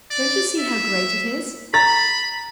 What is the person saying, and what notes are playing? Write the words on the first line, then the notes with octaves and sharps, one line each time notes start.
Don't you see how great it is?
D5
E5
A#5 B5 A6